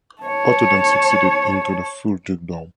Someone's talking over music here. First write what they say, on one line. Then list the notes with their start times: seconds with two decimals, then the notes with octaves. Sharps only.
Otto then succeeded into the full dukedom.
0.23 C#5 A5